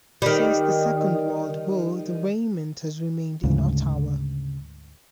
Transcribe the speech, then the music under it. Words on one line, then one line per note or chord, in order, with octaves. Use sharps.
Since the Second World War, the regiment has remained in Ottawa.
D#3 G3
D2 G#2 C#3